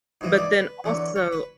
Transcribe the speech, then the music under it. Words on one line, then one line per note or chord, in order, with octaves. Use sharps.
But then also
G#2 E3 G#3
D5
B4
E2 D3 F#3
C#5
B4